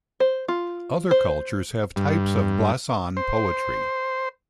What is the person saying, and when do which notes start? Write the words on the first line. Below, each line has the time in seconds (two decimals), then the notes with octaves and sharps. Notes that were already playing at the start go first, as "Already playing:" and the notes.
Other cultures have types of blason poetry.
0.20 C5
0.48 F4
1.11 C5
1.96 G2
3.17 C5